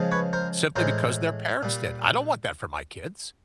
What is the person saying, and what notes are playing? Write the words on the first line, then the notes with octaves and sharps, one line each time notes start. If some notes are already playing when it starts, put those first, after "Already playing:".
simply because their parents did? I don't want that for my kids.
Already playing: C#3 F3 G#3
B4 C#5
A#4 C5
A2 E3 G#3 A#4 C5
A#2 G3